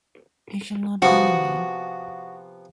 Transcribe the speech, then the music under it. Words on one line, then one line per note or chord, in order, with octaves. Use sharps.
He shall not bully me.
C3 F3 B3 F#4